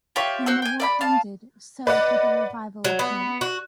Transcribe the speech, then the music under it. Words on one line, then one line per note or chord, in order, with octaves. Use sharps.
When the war ended, so did the revival of hemp.
F4 G4 C#5 E5
F#4 C5 F#5 E6
G5 G#5
D5 E5 B5
F5 A5
B4 D5 D#5 F#5
F#3
B3
F#4